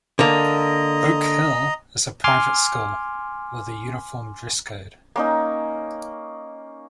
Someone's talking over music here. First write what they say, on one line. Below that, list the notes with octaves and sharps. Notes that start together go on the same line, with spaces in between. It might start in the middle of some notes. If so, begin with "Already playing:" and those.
Oak Hill is a private school with a uniform dress code.
D3 A#3 D#5 A#5
G#5 C6 D6 F6
A#3 C#4 D#4